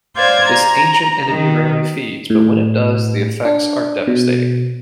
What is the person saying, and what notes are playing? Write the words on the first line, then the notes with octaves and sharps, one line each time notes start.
This Ancient Enemy rarely feeds, but when it does, the effects are devastating.
C5 D5 F5 G6 G#6
A#5
D#3
A2
D4
B2